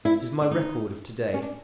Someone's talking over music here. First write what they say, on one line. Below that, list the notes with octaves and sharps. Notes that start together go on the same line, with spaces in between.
It is my record of to-day.
E4
D4
D#4
C#4
D4